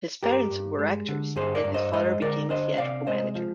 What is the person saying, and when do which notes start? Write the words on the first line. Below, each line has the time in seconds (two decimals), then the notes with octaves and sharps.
His parents were actors, and his father became a theatrical manager.
0.23 G2 G4 A#4
0.50 G2
0.79 G#3
1.08 D3
1.36 G2 G#4 C5
1.55 A#4 D5
1.64 G2
1.74 C5 D#5
1.93 G#3 C5 D#5
2.22 D3 A#4 D5
2.50 D4 C5 D#5
2.78 C3 D5 F5
3.07 G#3 C5 D#5
3.35 F3